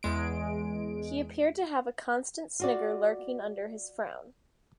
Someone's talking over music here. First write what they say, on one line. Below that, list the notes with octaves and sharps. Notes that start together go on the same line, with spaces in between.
He appeared to have a constant snigger lurking under his frown.
E2 G#3 D7
F4 F#4 D5